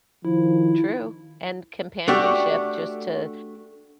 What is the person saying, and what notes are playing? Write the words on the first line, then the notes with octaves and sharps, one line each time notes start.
true and companionship just to
D#3 F3 E4
A3 D4 F#4 G4